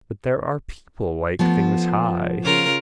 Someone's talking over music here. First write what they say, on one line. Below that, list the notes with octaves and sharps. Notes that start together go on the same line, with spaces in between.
But there are people like things high.
F3 A3 B3
C#3 F4 A#4